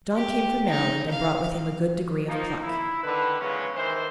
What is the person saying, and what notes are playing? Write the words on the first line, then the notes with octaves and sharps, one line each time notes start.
John came from Maryland, and brought with him a good degree of pluck.
G4
D#4
F5
F3 A#3 D#4
E4
D3 D#3 B4
C#3 E3 F#3 G#3 B3 C#4
D#3 E3 C5